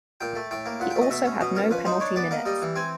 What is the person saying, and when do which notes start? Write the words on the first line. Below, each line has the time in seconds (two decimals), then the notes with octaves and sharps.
He also had no penalty minutes.
0.21 A#2 G5
0.36 A3
0.51 A2 G5
0.66 A#3
0.80 A#2 F#5
0.90 G5
0.96 A3
1.02 D#5
1.10 B2 E5
1.25 C#4
1.41 B2 D#5
1.55 C#4 A#4
1.71 F3 B4
1.85 D#4 C5
2.00 D4 C#5
2.16 B3 D5
2.31 A#3 D#5
2.45 G3 D#5
2.62 E3
2.76 C4 G#5